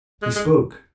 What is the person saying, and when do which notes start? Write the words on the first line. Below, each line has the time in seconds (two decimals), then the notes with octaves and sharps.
He spoke.
0.22 G#3
0.36 G#3